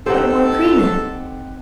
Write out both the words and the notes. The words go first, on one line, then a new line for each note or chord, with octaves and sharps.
Put more cream in.
C4 D#4 G4 A4 C5 F#5